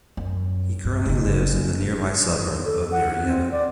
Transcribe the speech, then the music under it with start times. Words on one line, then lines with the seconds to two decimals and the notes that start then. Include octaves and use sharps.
He currently lives in the nearby suburb of Marietta.
0.17 F#2
0.85 G2
1.06 F#1 D#4
2.65 A4
2.91 F#5
3.24 C4
3.51 D5